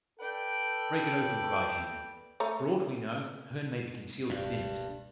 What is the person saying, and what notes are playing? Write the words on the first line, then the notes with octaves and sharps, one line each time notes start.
"Break it open," cried Henry; "for aught we know, Herne may be concealed within it."
A4 B4 D5 G5
A3 C#5 A#5
E1 C#2 G2